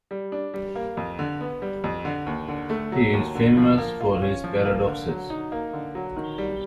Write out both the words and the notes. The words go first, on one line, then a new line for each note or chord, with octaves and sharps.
He is famous for his paradoxes.
G3
D4
G3
A#3
F2
D3
B3
G3
F2
D3
D#2
D3
A3
F#3
D#2
D3
F3
A#3
F4
C#4
F3
A#3
D3
F#3
D#4
A#3
D3
F#3
D#3
G3